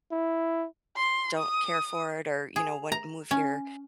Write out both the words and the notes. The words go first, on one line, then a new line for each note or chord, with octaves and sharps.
don't care for it or, you know, wouldn't move here
E4
C6
D#6
G#4
A#5
C#4